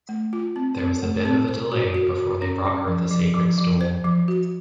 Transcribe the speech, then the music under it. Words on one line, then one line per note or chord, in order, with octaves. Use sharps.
There was a bit of a delay before they brought her the sacred stool.
A3
F4
C4
C4
A3
C4
C5
F#4
F#4
F#4
C#4
C#4
F3
F3
F3
F3
C5
F3
F#4